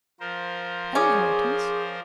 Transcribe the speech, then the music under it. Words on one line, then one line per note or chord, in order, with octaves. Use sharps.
"An inheritance?"
F3 A#4 C5
C#4 G#4 D5 D6 D#6